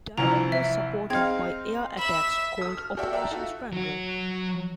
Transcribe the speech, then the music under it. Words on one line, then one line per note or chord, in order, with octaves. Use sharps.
"Diadem" was supported by air attacks called Operation Strangle.
C2 E3 F3 A#5
E5
C4 D#4 G#4 F5 G5 G#6
E5 B5 F#7
A4 D#6
F6
F#4 G4 A4 D5 E5 G5
D5 E5 F#5 G5 A5 A#5
D#4 F4 F#4 A4 E5
F#3 F#4